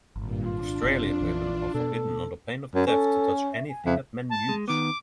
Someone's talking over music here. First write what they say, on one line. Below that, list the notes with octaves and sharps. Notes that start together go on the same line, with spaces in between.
Australian women are forbidden under pain of death to touch anything that men use.
G#1 G2 A#2
D4 F4
F#1 C3
A#1 D3 E3
B2 A4
F#2
C#4 A4
E5
G#5
F2 E5
A5
G#3
D#3 B3 D6